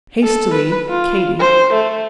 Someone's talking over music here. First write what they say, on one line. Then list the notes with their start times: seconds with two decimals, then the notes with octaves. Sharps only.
Hastily, KATY.
0.23 A4
0.54 B4
0.88 F4
1.40 C5
1.74 A3